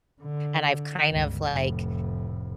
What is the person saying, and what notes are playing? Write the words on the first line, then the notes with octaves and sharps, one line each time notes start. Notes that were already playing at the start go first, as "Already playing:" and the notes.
and I've kind of like,
D3
G1 C#2
F1 A2